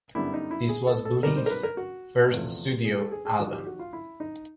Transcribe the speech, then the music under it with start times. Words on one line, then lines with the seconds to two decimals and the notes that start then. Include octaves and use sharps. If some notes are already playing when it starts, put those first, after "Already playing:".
This was Bleach's first studio album.
0.15 F#2 D3 G3 B3 E4
0.34 D#4
0.51 E4
0.69 G#4
0.87 A4
1.05 A4
1.23 B2 G3 C4 D#4 A#4
1.36 C5
1.46 A#4
1.50 B4
1.63 A#4
1.77 F#4
2.31 E2 C3 F3 A3
2.85 G#4
2.98 A4
3.12 G#4
3.25 G#4
3.39 G#1 G#2 F3 F#4
3.52 G4
3.67 F#4
3.79 F4
3.93 E4
4.20 D#4